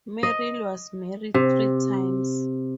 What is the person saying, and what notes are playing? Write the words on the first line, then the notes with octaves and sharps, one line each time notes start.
Merrill was married three times.
D#5
C3